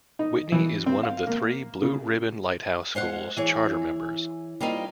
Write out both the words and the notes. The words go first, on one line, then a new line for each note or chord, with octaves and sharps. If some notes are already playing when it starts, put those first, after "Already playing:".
Whitney is one of the three Blue Ribbon Lighthouse Schools Charter Members.
D#4
E3
C4
F5
A#3
C#3
G#3 C5 F5 F#5
E3 G#4 C#5
G3 A#3 C4 D#4 F4